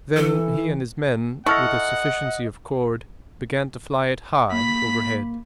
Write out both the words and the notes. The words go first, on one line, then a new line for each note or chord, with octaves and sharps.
Then he and his men, with a sufficiency of cord, began to fly it high overhead.
E3 A4
E4 A4 D#5 F#5 C#6 F6 A#6
A#3 B5 B6